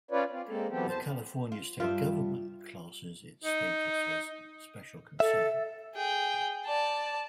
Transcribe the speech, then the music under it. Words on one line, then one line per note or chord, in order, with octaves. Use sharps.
The California State Government classes its status as "Special Concern".
C#4 F4 B4 C#5 D5
C4 F4
G#3 A#3 C4 A4
E3 F#3 B3 C4 G4 A4
E2 C5 A5
F4
G2 G3 D4 F4 E5
D#4
A4 E5
G#4 G5
D5 A5